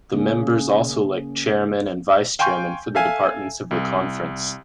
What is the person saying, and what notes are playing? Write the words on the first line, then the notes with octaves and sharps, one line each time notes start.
The members also elect chairmen and vice-chairmen for the departments of the conference.
C#3 A#3 C#4 G#4
F5 G5 G#5 C6 C#6 G6
A4 E5 F5 G#5
C2